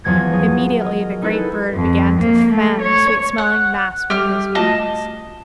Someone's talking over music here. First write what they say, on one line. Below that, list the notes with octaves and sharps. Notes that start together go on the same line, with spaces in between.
Immediately the great bird began to fan the sweet-smelling mass with his wings.
E2 F3 F#3 G#6 A#6
F#3 G#4 D#7
A#4 D#5
D#4 E4 G#4 A4 B4
F2
A#3
A3
C#5
F#5
G3 G4 F6
A3 F4 F#4 D#5 A5